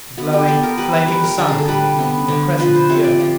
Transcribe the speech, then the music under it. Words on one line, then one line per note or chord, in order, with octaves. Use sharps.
The glowing, flaming Sun appeared, making a crescent of the Earth.
B3 F#4
G4
B3 A4
A#4
G3 B4
B4
G3 A#4
A#4
D3 A4
G#4
A4
G3 B4
B3
D3
F3 B4
C5
C3 C#5
D5
F3